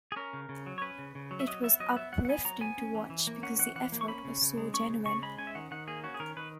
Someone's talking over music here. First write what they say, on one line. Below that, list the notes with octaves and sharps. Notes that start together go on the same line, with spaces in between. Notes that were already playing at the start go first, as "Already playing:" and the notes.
It was uplifting to watch because the effort was so genuine.
G#4
C#4 A#4
C#3
C#3
F#3
C#5
C#4 B4
C#3
C#3
F#3
E5
F#3 D#5
B3 E5
F#3 D#5
F#5
B3 E5
F#3 F#5
F#5
B3 G#5
F#3 A#5
B3 G#5
C#4
E3
E3
A#3
C#4 F#5
E3 F#5
E3 F#5
A#3
C#6
C#4 B5
C#3
C#3
G#3
C#4 C#6
C#3
C#3 C#6
G#3 B5
C#4 G#5
E5
D#3 F#5
D#3 F#5
A#3 G#4
C#4 F#4
G#4
D#3 A#4
D#3 B4